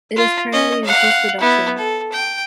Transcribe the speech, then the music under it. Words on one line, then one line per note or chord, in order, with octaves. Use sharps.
It is currently in post-production.
F4
C#4 D#5
F5 F#5
B3 E4
A4
G5